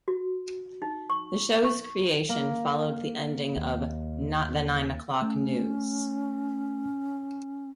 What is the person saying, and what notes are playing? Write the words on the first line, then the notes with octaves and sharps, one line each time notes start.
The show's creation followed the ending of "Not the Nine O'Clock News".
F#4
D#4
C#6
C#6
A#3
D#2
A3 C#4